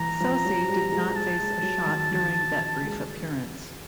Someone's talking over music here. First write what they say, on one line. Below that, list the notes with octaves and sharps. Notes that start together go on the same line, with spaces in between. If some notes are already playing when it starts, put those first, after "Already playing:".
Soucy did not face a shot during that brief appearance.
Already playing: E3 A#5
F3
F#3
G3
G#3
G#3 A5
G#3
F#3
D#3
E3
G#3